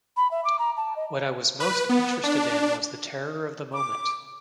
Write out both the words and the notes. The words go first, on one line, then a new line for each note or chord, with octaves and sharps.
What I was most interested in was the terror of the moment...
B5
E5
D6
A#5
A5
D#5
B4
B3
D4
D6